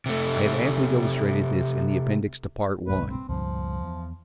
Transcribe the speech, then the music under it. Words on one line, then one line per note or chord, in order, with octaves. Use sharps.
I have amply illustrated this in the Appendix to Part I.
C3 A3
B1 G2 A3 B4
C4
C#2 G2 A#2 F3
E2